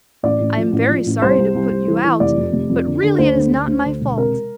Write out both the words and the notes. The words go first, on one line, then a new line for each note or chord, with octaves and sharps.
I am very sorry to put you out, but really it is not my fault.
A1 D5
A1
F3
A1
F3
A1
C2 C5
C2
C2
C2
E3
E3
F1 D5
F2
F1
F2
D3
D3
D2 C5
D3
D2
D2
D3
E1
C3 A#4